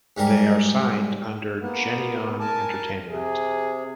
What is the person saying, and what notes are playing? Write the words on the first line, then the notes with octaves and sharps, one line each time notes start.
They are signed under Geneon Entertainment.
G#2 G3 A#4
A#3 B3
A#4 G#5 A5
C3 G#4